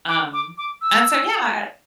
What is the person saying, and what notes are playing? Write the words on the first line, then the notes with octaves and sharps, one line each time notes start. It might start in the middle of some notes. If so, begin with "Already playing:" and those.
Um, and so, yeah, ah,
D6
D6
D6
E6